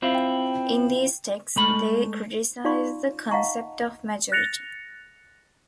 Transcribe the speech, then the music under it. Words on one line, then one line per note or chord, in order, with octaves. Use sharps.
In these texts, they criticize the concept of "majority".
C4 E4 F4
G#3 A3 B5
D#4 F4 D5 F5 C6 C#6
D#5 F5 F#5 A5 A#5 C#6
F#6 A6 A#6 C#7 F7